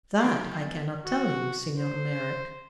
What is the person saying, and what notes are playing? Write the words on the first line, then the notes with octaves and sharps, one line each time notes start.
"That I cannot tell you, Signor Merrick."
D#3 F#3 F5 G5 B5 D7
D#5 G#5
B3 A6
F#4
C5